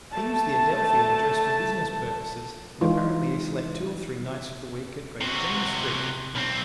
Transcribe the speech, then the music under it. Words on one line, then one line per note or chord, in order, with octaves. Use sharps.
He used the Adelphi address for business purposes and apparently he slept two or three nights of the week at Great James Street.
A3 A5
E3 G#3 D#4 F4
C3 F#4
B1 C4